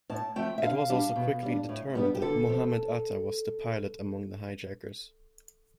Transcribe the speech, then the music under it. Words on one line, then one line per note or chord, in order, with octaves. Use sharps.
It was also quickly determined that Mohamed Atta was the pilot among the hijackers.
A2 A5
F3 A3 C4 G5
E5
D3 F5
G3 D4
B2
G3 D4
A2
G3 B3 D4
G4
D3 A4
F3 C4